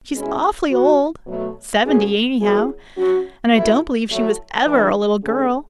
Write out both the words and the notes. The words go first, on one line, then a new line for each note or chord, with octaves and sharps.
She's awfully old--seventy anyhow--and I don't believe she was EVER a little girl.
B2 G#3 C#4 E4 G#4
E3 B3 F#4
B2 F#3 A3
B2 A3 C#4 G#4
F#3 B3 E4 G#4
F#3 C#4 F#4
B2 A3 E4
A2 F#3 A3
E3 G#3 D4 G#4
D3 A3 C#4 G#4